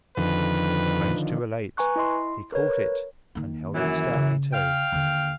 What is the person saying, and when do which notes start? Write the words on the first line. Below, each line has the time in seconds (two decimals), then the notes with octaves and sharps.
Strange to relate, he caught it, and held it stoutly, to.
0.17 F2 D3 D#3 F3 B4
1.77 B4 G#5 A#5 C#6 F#6
1.96 E4 D#5 C6
2.52 A#4 B4 C#5
3.35 D#3 A#3
3.75 F#2 E3
4.14 C#3
4.53 F5 G5
4.92 D#2 D3